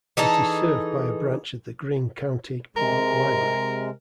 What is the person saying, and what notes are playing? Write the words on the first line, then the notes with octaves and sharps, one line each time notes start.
It is served by a branch of the Greene County Public Library.
E3 D#4 G#4 A4
C3 G#3 A#4